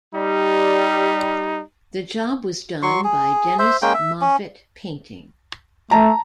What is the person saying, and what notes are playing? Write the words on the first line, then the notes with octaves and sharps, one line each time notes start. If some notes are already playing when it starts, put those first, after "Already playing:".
The job was done by Dennis Moffitt Painting.
G3 D#4
F#3 C6 C#6
G#4
C5 E5
G#3 A#3 C#4 G5
E5
C#4
A3 A5 A#5